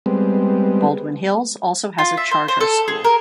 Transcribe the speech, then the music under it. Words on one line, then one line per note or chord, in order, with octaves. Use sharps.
Baldwin Hills also has a charter school.
G3 G#3 B3 C4
F4
E5
C5
C5
A4
G#4
A#4